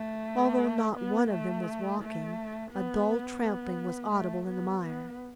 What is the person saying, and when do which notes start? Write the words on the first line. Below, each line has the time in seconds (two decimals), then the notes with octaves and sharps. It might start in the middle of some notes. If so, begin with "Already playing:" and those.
Although not one of them was walking, a dull trampling was audible in the mire.
Already playing: A3
0.95 B3
1.31 A3
2.01 A3
2.71 B3
3.41 B3
4.12 A3
4.47 B3
4.82 B3